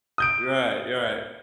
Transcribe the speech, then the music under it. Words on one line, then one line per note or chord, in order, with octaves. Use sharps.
You're right, you're right.
D#6 G6 D7